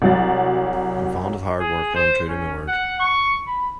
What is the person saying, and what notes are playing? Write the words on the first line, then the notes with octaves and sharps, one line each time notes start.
I am fond of hard work, and am true to my word.
C2 F#3 A6
G#4
C5
C#4
F#5
C#6
B5